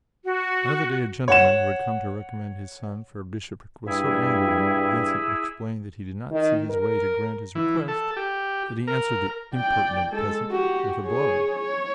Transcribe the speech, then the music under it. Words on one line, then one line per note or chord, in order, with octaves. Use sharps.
Another day a gentleman who had come to recommend his son for a bishopric was so angry when Vincent explained that he did not see his way to grant his request that he answered the "impertinent peasant" with a blow.
F#4
C#5 F#5 E7
G2 E4 G#4 E5
D#3
A#4
E3
A4
G4
A#4
D5 G5
G#3 A4
F#4 G4
G#4 C#5
C#5